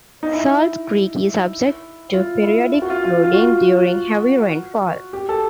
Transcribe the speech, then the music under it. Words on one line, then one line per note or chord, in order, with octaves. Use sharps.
Salt Creek is subject to periodic flooding during heavy rainfall.
D#4
E4
F4
E4
F4
F#4
F4
F4
F4
F#4
G4
A4